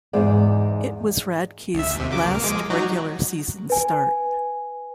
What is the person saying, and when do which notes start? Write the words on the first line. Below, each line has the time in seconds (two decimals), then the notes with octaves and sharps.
It was Radke's last regular season start.
0.13 E2 G#2 G#3 D5
1.75 C#2 E5
1.96 D#2 C3
2.10 C#3 F#3 D6
2.24 A#3
2.44 F3 G#3 D6
2.70 F#3 D#4 F#4
3.70 B4 G#5